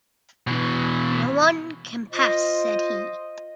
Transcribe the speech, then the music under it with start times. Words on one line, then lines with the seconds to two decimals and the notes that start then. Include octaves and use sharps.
"No one can pass," said he.
0.47 B2 E3
2.12 F4 C5 D#5